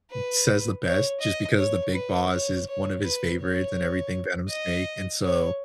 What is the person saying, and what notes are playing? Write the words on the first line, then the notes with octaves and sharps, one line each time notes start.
says the best, just because the big boss is one of his favorites and everything, Venom Snake. And so,
B4
C#5
D#5
C#5
B4
C#5
C#5
B4
C#5
D#5
C#5